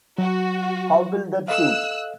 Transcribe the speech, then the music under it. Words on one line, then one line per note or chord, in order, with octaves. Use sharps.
How will that suit?
F#3 F#4
A4 D#5 F5 E6 F#6